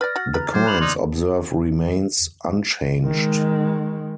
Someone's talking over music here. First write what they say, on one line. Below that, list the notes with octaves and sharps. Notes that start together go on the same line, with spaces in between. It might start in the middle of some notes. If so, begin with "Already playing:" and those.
The coin's obverse remains unchanged.
B4 D5 F6 A6 A#6
F#4 F#5
B4 A#5
F#3 C5 D6 G#6
B5 F#6 F7 F#7
D#4 D5 C6
D#3 G#3